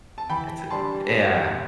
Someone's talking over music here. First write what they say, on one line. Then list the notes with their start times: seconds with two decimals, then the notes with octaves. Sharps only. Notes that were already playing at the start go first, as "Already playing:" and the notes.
It's a yeah, yeah.
0.18 A5
0.30 E3 G5 B5
0.70 G3 D4 A5 C6